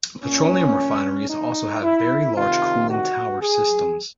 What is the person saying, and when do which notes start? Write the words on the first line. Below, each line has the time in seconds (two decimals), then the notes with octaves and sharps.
Petroleum refineries also have very large cooling tower systems.
0.24 A#2 C#4
1.29 D#4
1.83 E4
2.35 C3 D#3 F4
2.88 F#4
3.41 G#4